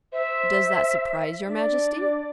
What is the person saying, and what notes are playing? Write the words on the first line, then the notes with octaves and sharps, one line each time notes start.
"Does that surprise your Majesty?"
C5 E5
D4 D5